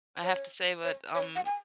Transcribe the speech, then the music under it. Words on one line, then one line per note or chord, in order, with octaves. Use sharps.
I have to say that, um,
C#5
C#5
C#5
F#5
G#5